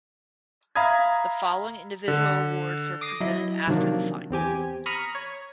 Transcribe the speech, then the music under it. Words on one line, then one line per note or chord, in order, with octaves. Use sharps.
The following individual awards were presented after the final.
E5 F5 A#5 B5 D#6 G#6
D3
D6 D#6 A#6 C7
F#3 E4 D#5
C3 D#3 F3 F#3 A#3 D4
E2 C4 G4 G#5
A#5 B5 C#6 D#6 F6
C#5